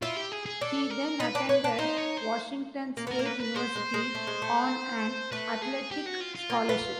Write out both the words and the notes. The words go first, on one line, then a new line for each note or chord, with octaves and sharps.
He then attended Washington State University on an athletic scholarship.
E4 F4
G4
G#4
G#4
D4 A4
A#4
D#4 B4
D4
C#4 B4
D4
D#4 C5
C#5
C5
A#3
B3 A#4
A#3
B4
B4
G#3 C5
G#3
G#3
A3
G#3
A3
A3 B4
G#4
G4
F#4
F4
F4
A#3
B3